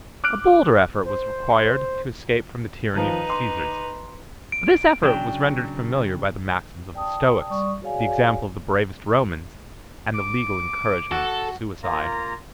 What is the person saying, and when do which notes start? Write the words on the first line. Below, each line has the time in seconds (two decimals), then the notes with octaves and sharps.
A bolder effort was required to escape from the tyranny of the Caesars; but this effort was rendered familiar by the maxims of the stoics, the example of the bravest Romans, and the legal encouragements of suicide.
0.24 D6 F6 F#6 D7
1.05 C5
2.94 D#3 F3 D#4 B4
3.29 C6 D6
4.52 D7
5.02 C#3 F#3 D4 G5
6.94 D5 G5 A5 D#6
7.50 G3 D5 C#6 D#6
7.82 F#4 G#4 C#5 D5 F5 G#5
10.15 D6
11.11 F#4 A4
11.83 A#3 F4 A#5